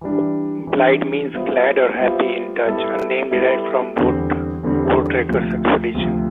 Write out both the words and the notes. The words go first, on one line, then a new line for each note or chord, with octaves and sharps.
Blyde means "glad" or "happy" in Dutch, a name derived from a voortrekkers' expedition.
E3 G3 D4
E3 G3 D4
G3 B3 F4 C5 E5
G3 B3 F4 C5 E5
G3 B3 E4 A4
G3 B3 E4 A4
E2 D3 G3 C4
E2 D3 G3 C4
D2 C3 F3
D2 C3 F3